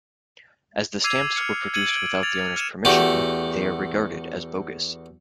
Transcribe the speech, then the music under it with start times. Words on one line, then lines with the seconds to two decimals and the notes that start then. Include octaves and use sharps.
As the stamps were produced without the owner's permission, they are regarded as bogus.
1.04 D6 E6 G#6 C7 D#7 F7
1.36 F6 C#7
1.74 G#6 C#7 D#7 F#7
1.88 D7
2.23 G#6 A6 F7
2.56 F6 C#7 D#7 E7
2.85 E2 A3 F#4 G4